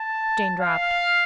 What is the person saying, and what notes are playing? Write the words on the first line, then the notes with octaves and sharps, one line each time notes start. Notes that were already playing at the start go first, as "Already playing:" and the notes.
Jane dropped.
Already playing: A5
F5